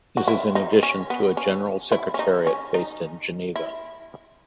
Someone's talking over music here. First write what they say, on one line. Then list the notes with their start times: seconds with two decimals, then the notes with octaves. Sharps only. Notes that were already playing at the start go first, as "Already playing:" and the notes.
This is in addition to a General Secretariat based in Geneva.
0.17 F#4
0.28 E4
0.55 D#4
0.83 C#4
1.10 B3
1.37 C#4
1.92 E4
2.14 C#4
2.19 D#4
2.47 C#4
2.74 D#4
3.56 E4